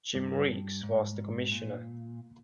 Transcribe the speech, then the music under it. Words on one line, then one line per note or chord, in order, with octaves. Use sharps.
Jim Riggs was the commissioner.
G2
G#2
A#2